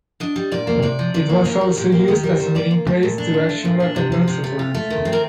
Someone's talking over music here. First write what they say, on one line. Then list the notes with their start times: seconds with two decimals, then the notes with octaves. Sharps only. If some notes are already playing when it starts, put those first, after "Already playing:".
It was also used as a meeting place to auction local plots of land.
0.20 D4 D#5
0.36 G3
0.52 A#2 D5
0.67 A#3
0.83 C3 D5
0.99 F3
1.14 C3 D5
1.29 A#3
1.45 D#4 A#4
1.61 G3
1.77 A#2 G4
1.92 A#3
2.08 D#3 G4
2.23 G3 A#4
2.39 D#3 C5
2.55 A#3 D5
2.71 F4
2.87 A3
3.03 A#2
3.18 D4
3.34 F4
3.49 A3
3.65 A#2
3.80 D4
3.96 C3
4.12 F3
4.28 C3
4.44 A3
4.59 F4
4.75 A3
4.90 D#3
5.05 C4
5.13 A#4